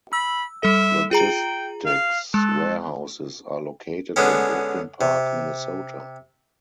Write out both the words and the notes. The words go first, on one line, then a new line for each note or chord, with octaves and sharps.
Logistics warehouses are located in Brooklyn Park, Minnesota.
B5 E6
G3 A4 E5
F4 G#4 G5 A#5
F5
G#3 A4
D3 G#3 B3 C#4
C3